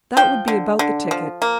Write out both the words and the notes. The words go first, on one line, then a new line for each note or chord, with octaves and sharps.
That would be about the ticket.
F3 G5
D3
D3
F3
A#3